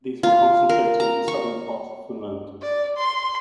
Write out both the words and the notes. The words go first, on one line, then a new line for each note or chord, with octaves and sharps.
These were concentrated in the southern part of Finland.
F4
A#4
A#5
C#6
D5
C6